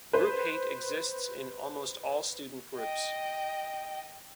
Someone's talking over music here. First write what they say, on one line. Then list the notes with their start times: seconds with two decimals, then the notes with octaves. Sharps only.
Group hate exists in almost all student groups.
0.13 B4 C5
2.77 D#5 G5